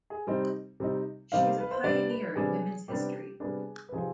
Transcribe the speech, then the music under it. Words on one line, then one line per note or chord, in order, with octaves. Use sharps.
She is a pioneer in women’s history.
G#4
C3 G3 C4 D#4
C3 G3 C4 D#4
C3 G3 C4 D#4 F5
B4
C5
C3 G3 B3 D4 D5
B4
C3 G3 B3 D4 G#4
C3 G3 B3 D4 G4
C3 G3 B3 D4 G#4
B4
C3 F3 C4 D#4 G#4